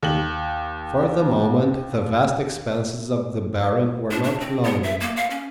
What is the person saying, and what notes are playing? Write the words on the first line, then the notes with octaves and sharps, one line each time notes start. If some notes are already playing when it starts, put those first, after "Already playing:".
For the moment the vast expanses of the barren were not lonely.
D#2 F#7
D4
D4
C4
B3
E5
A#3
F5
C#4